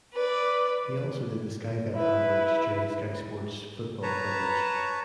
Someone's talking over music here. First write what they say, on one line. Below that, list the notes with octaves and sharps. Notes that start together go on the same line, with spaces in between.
He also did the Sky Bet adverts during Sky Sports football coverage.
B4 D5
E4 B4
B4 C#5 A5 A#5